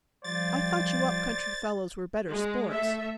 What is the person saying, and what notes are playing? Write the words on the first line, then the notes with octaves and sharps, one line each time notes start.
"I thought you up-country fellows were better sports."
F3 G3 C5 D5 F5 A6
G#3
A3 A4 E5